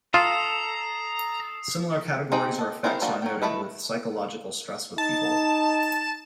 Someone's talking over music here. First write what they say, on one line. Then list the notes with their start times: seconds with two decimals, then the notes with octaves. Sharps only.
Similar categories or effects are noted with psychological stress with people.
0.14 F4 A4 A#5 D#6 C7
2.32 C4 D#4 G#4 G5
2.59 A4 D#5
2.84 C4 E4 G#4 A#4 C5
3.01 F3 G3 A#3 D4 F#4
3.22 F#3 G5
3.42 A3 E4 B4 D#5
4.98 D#4 A5